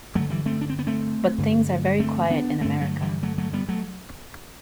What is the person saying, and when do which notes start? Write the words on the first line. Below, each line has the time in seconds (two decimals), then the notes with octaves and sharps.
But things are very quiet in America.
0.15 G2 D3 F#3 A3
0.30 E3 G3
0.46 A3 C4
0.61 D4
0.70 C4
0.79 B3
0.87 A3 C4
1.38 G2 D3
2.00 A3 C4
2.30 B3 D4
2.61 G2 D3 A3 C4
2.81 F#3 A3
3.02 E3 G3
3.23 F#3 A3
3.38 F#3 A3
3.53 G3 B3
3.69 F#3 A3